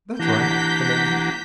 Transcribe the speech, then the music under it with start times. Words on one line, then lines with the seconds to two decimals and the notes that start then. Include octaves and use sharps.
"That's right," from Andy.
0.19 E3 A#3 D4 G4 F#5 A#5 G6 B6